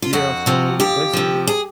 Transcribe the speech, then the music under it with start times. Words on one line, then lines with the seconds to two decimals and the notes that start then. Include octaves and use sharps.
Yeah, so basically
0.02 F4
0.13 F2 F#4
0.46 C3 F3
0.80 F2 G4
1.13 C3 F3
1.47 G#4